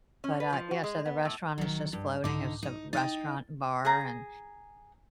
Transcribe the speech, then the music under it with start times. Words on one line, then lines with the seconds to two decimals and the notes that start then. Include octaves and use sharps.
But uh, yeah, so the restaurant is just floating, it's a restaurant and bar, and
0.24 C#4
0.40 B4
0.53 F3
0.71 F#4
0.84 G#3
1.06 B3
1.25 A2
1.58 B1 D#3 F#3
1.93 G2
2.24 C2 G#2 D3 D#4 D6
2.63 D#4
2.93 D#4 G5 A6
3.85 G#4 A#5